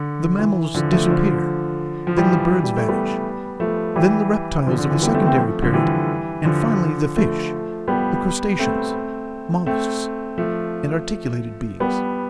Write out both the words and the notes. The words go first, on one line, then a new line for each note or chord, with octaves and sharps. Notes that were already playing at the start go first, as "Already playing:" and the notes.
The mammals disappear, then the birds vanish, then the reptiles of the secondary period, and finally the fish, the crustaceans, molluscs, and articulated beings.
Already playing: D3
E3
D3 F3
F3 A3
D3 F3
F3
E3 G3
G3
A3
G3 B3
F3 A3
E3 G3
D3 F3
D3
E3
G3 B3
A3 C4
A3 C4
F3 A3
D3 F3
E3 G3
D3 F3
F3 A3
G3 B3
A3 C4
A3 C4
F3 A3
G3 B3